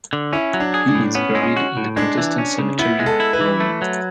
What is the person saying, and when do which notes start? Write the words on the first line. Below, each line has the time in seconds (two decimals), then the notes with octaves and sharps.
He is buried in the Protestant Cemetery, Rome.
0.13 D3
0.33 C#4 E4
0.54 F#3
0.60 D4
0.74 G#4
0.88 D4
0.95 A2
1.15 B3 C#4
1.35 G#3
1.42 C#4
1.57 F#4
1.77 A2
1.96 G#3 D4
2.18 E3
2.38 C#4
2.59 C#3
2.79 B3 E4
3.00 G#3
3.06 A4
3.20 E4
3.33 B4
3.41 E3
3.60 A3
3.82 F#3